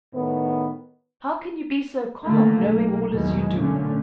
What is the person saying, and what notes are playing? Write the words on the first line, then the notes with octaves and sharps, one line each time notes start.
"How can you be so calm, knowing all as you do?"
A2 D#3 B3
D3 A3 A#3
B1 A#3
B1 E2 B2 D#3 G#3
A#2 D3 A3 C#4